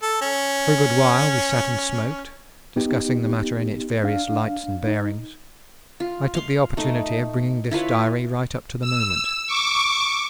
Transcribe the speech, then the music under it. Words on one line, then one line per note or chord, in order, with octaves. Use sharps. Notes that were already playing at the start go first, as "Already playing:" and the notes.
For a good while we sat and smoked, discussing the matter in its various lights and bearings; I took the opportunity of bringing this diary right up to the moment.
A4
C#4
B3 D#4 G4
D4 F5
D#4
F4
F5 C6
A3 D#4
E4 F4 B4 C#5
E6
C#6 D6